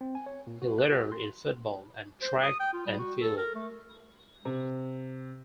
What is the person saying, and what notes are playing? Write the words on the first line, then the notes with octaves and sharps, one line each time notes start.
He lettered in football and track and field.
C4
G#5
C#5
A#2
F#4
F#6
F#4
C6
C5
D#6
G5
F4
G3
F#4
A4
A#4
A3
C3